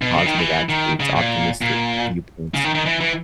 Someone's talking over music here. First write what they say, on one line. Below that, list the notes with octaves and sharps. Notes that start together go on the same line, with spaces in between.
positive attributes, optimistic viewpoints,
B2
C#3
D#3
E3
D#3
C#3
A#2
A#2
C#3
D#3
D#3
E3
E3